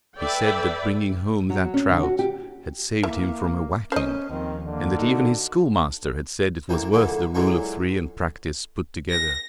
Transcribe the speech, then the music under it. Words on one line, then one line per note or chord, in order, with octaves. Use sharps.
He said that bringing home that trout had saved him from a whacking, and that even his school-master had said it was worth the rule-of-three and practice put together.
A4 B4 D5 E5 G5
F#3
C#4
D3
F#4
G4
E3 A#3 E5
C#4 C5 D#5
D#2 D#3 F3 C4
D3 A#3
D#4 F#4
A1 E3 A#3 G5
F2 D3 E3 G#3 A#3
A#2 E3 F#3 G#3 A3 C#4
A#6